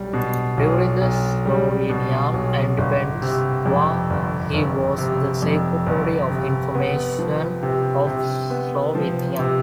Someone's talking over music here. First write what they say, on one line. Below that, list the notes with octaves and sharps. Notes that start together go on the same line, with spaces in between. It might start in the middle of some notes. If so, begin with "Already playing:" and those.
During the Slovenian Independence War he was the Secretary of Information of Slovenia.
Already playing: B1 G3
B2
B1
B1
G3
B2
B1
G1
C3
F2
G1
G1
C3
F2
G1
C3
B3
F3
C3
C3
B3
F3
C3